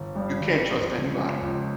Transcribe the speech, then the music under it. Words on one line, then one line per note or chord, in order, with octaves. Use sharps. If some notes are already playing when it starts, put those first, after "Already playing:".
you can't trust anybody,
Already playing: G1
G2 F3
G1
G2 F3
C#2
C#3 F3 C#4
C#2